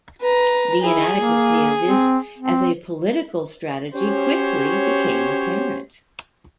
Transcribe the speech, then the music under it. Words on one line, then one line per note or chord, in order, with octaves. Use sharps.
The inadequacy of this as a political strategy quickly became apparent.
B4 A#5
E4 G#4
A#3
C4
C4
C#4 F#4 G4 C5 C#5